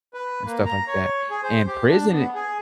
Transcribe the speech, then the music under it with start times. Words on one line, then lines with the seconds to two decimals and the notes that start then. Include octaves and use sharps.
And stuff like that and prison i
0.14 B4
0.45 A#3
0.66 A#5
0.87 C#5
1.30 G#4
1.43 C5
1.67 G4
1.89 D4
2.12 B3
2.35 G#4